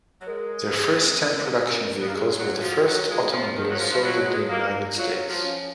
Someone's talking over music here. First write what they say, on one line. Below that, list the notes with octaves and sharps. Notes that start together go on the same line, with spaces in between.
Their first ten production vehicles were the first automobiles sold in the United States.
F#3
G#3 A#4
G#4
A#4
A#4
B3
A#3
G#3 G#4
F#3
F3 F#4
F#3
G#3 F4
F3
D#3 G#4
F#3
F3
F3
F#3 F#4
G#3
A#3
F#3 F4
F3
C#4